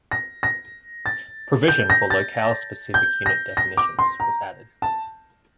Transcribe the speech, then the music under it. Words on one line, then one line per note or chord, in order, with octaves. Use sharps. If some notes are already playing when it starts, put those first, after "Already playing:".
Provision for locale-specific unit definitions was added.
A#6
A#6
A6
G6
A#6
A6
G6
A#6
A#6
D6
C6
A#5
A5